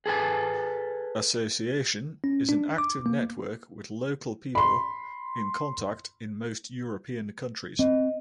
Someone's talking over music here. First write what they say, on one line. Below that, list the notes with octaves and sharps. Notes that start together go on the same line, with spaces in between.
Association is an active network with local people in contact in most European countries.
G#4 A4 B4 G#5
C#4
D4
D6
A#3
B5 C6
C4 D#5